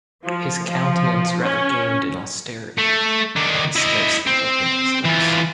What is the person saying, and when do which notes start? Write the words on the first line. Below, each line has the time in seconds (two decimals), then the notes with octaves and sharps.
His countenance rather gained in austerity; and he scarcely opened his lips.
0.25 F3
0.68 F3
1.42 C#4
2.79 A3
3.36 D#3 D4
3.76 E4 D#5
4.27 C4
5.05 E3 F4